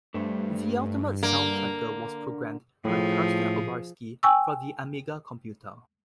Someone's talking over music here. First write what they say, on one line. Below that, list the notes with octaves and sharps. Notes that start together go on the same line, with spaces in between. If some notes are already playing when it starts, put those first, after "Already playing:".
The Ultimate Soundtracker was programmed by Karsten Obarski for the Amiga computer.
G2 A3 C5
D3 A#3 D4
A2 F3 G#4
G5 G#5 C#6 E6